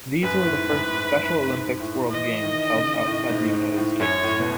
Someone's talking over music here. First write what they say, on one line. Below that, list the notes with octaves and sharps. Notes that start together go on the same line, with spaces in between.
These were the first Special Olympics World Games held outside the United States.
F#2 B4
A2
G#2
F#2
F#2
G#2
F#2
G#2
A2
E3 D#5
D#3
C#3
A2
G#2
G#2
A2
F#2 C#5
A2
B2